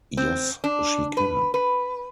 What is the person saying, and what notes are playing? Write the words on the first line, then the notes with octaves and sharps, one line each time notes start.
Yes she can.
C4
D4
B4
B4